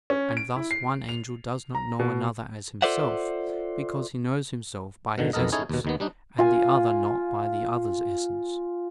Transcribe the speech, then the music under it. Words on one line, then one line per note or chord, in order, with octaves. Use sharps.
And thus one angel does not know another as himself, because he knows himself by his essence, and the other not by the other's essence.
C#4
D7
E4
C7
F7
A#5
B2
F4 A4 C5 D5 E5 F#5
B2 D3 D#3
B1 F2 B3 A4 A#4 D#5
C#4 D#4 E4 G#4 A4 C#5
D#2 B2
D#2 D#3 B3
G3 D4 D#4
F4 G#5